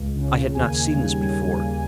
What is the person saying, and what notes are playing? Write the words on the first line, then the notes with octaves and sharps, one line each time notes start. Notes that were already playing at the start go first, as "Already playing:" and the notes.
I had not seen this before.
Already playing: C#2
C#3
D#2 G#5
G3